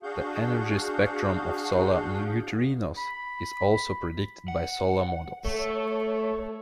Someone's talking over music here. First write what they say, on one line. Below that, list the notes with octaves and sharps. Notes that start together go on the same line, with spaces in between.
The energy spectrum of solar neutrinos is also predicted by solar models.
D4 F#4 G#4 F5 F#5 G6
B5
F#5
A3 A4 C#5